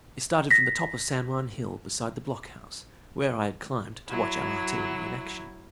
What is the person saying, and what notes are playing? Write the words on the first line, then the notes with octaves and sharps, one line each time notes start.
It started from the top of San Juan Hill beside the block-house, where I had climbed to watch our artillery in action.
A#6 B6
F#3 E4